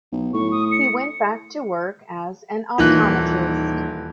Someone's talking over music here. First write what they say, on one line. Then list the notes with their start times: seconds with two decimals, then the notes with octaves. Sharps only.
He went back to work as an optometrist.
0.12 B1
0.34 A2 C#6
0.52 D#6
0.72 C#7
2.78 D#1 E3 A#3 D#4 F4 F#6